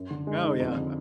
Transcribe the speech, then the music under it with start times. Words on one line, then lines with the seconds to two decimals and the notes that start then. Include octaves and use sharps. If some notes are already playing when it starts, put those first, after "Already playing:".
Oh, yeah,
Already playing: F#2
0.10 D3
0.27 G#3
0.44 D#4
0.60 F2
0.76 D3